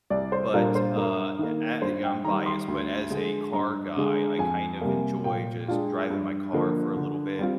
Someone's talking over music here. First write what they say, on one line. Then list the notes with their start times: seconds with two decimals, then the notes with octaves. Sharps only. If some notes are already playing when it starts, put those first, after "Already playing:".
but, uh, e I I'm biased, but as a car guy, I kind of enjoy just driving my car for a little bit,
0.10 C2 D5
0.32 C5
0.53 A#2 G3 D4 F4 A#4
0.75 C5
0.96 G2 A#4
1.39 D#3 A#3
1.82 G2 C5
2.04 G5
2.25 D#3 G3 A#5
2.46 C6
2.68 D2
3.11 D3 G#3
3.53 G2 A#5
3.97 D3 G#3
4.39 F2 G#5
4.81 C3 G3 A#3
5.24 A#2 G5
5.68 G#3 D4 F4
6.10 G2
6.53 D3 F3 A#3
6.96 D3
7.39 G3 C4 F4